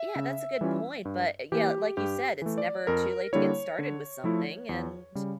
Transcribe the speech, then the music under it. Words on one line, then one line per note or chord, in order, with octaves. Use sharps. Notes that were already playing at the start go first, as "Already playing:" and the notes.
Yeah, that's a good point, but, yeah, like you said, it's never too late to get started with something, and
Already playing: E5
C#3
E3 G3 C#4 F4
G2
E3 A#3 G4
G2 G4
E3 A3
D5
F2 A#4
D3 G3 A#3 E4 C#5
D3
F3 A3 E4
E2
C#3 G3